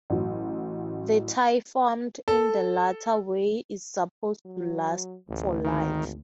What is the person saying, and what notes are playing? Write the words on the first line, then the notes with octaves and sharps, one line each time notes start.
The tie formed in the latter way is supposed to last for life.
A1 F#3
A4
F#3
A1 D2
G#1 D#3